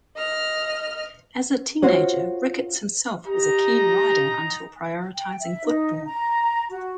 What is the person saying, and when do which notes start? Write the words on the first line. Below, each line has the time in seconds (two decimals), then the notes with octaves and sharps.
As a teenager, Ricketts himself was a keen rider until prioritising football.
0.16 D#5 F6
1.82 F4 F#4 C5 C#5
3.27 D#4 G4 A#5
5.15 G5
5.40 E5
5.65 D#4
6.05 A#5
6.69 F#4